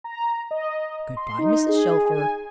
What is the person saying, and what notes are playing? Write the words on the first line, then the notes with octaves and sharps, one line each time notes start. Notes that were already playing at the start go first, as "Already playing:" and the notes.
"Good bye, Mrs. Shelfer."
A#5
D#5
C6
D#4
G#4
G#5